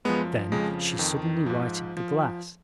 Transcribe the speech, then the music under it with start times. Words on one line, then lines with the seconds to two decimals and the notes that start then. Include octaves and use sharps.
Then she suddenly righted the glass.
0.05 F#2 F3 G#3 B3
0.52 F2 C#3 F3 G#3
0.99 F2 D#3
1.46 G#2 F3
1.97 F3